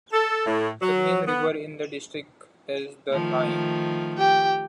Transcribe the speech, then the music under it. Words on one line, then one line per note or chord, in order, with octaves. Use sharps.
The main river in the district is the Nahe.
A4
A2
F#3
B3
D#3 F3 A3
G4 G5